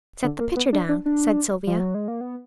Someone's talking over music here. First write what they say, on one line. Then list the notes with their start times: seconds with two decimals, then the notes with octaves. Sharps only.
"Set the pitcher down," said Sylvia.
0.24 D3
0.40 A#3
0.56 B3
0.73 D4
0.89 D4
1.06 D4
1.67 F3
1.80 F#3
1.94 G#3
2.08 A#3
2.21 B3